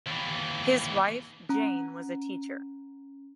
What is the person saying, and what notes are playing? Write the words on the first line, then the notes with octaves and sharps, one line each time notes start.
His wife, Jane, was a teacher.
D#2 E3
C#4 A#5